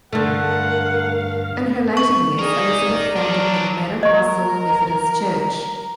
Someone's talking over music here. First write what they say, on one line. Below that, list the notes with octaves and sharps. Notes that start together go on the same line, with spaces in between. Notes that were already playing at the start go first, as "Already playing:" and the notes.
In her later years, Elizabeth founded the Madam Russell Methodist Church.
G2 D3 A3 A#4 F5 F#5
C#6
D#4 G#4 A#4 D5
F#3 D4 A#4
A#4 D#5 C#6